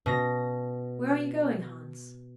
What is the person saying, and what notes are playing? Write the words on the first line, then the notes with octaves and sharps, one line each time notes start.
'Where are you going, Hans?'
B2 A#6